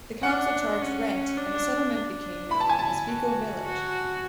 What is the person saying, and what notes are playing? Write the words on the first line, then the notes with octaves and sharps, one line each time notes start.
The council charged rent and the settlement became known as Vigo Village.
D4 F#5
C#4
D4
D4
E4 B5
A5
G#5
A5
F#4
F#4